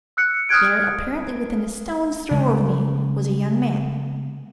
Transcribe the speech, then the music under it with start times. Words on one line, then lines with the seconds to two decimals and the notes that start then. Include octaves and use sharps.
There--apparently within a stone's throw of me--was a young man.
0.17 E6 F#6 C#7
0.49 D#6 F6 F#6 G#6 D7
2.31 C#3 G#3